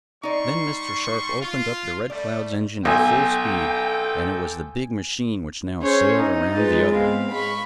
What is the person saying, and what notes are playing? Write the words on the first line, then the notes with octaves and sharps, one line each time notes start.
Then Mr. Sharp opened up the Red Cloud's engine at full speed, and it was the big machine which now sailed around the other.
G3 D#4 D5 C6 C#6
F4
G3 A3 D5
B1 A4 G5 G#5
C#4 G#4 C5 C#5
C3 D#4
G#3 F4 B4 A6
G#2 B3 C4 F5
G#3 B5 C#6